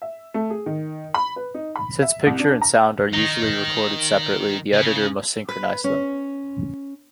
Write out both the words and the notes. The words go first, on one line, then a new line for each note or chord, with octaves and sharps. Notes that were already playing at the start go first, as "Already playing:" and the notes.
Since picture and sound are usually recorded separately, the editor must synchronize them.
E5
A3
G#4
D#3
B5
B4
D#4
B5
E5
C2
D4
A#5
D#3 D#4
C#3
B4
C#4